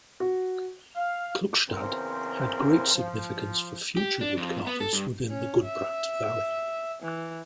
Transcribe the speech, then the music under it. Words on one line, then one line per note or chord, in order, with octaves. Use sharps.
Klukstad had great significance for future wood carvers within the Gudbrand Valley.
F#4
F5
E2 C#3 C4 A#4 C5
F3
G4
D4
F2
B3
A4
G2
C#4
E5
E3